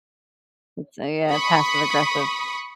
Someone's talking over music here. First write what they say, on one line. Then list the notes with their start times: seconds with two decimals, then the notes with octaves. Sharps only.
It's a, uh, passive aggressive
1.29 B5 C#6 D#6